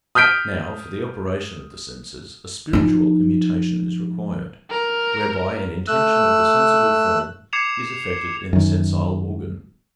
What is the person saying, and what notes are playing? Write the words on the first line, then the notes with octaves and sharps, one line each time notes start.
Now, for the operation of the senses, a spiritual immutation is required, whereby an intention of the sensible form is effected in the sensile organ.
D#6 F6 G6 B6 D7
F3 D#4
A#4
A3 E6 F#6
D6 G#6 C7 C#7 E7 F7
F#2 D#3